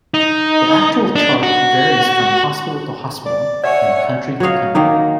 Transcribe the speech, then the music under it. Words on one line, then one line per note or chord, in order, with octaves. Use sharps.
The actual chart varies from hospital to hospital and country to country.
D#4
D4
F#4
D5
C#5 D5 E5 F#5 G#5
F#3 C#5 D#5 F5
D#3 A#3 D#4